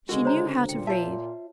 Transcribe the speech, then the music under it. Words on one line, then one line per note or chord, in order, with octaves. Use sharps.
She knew how to read.
C#2 D3 G#3 F#4 A#4
C5 C#5 A#5
A#2 G5
F4 C#5 E5 A5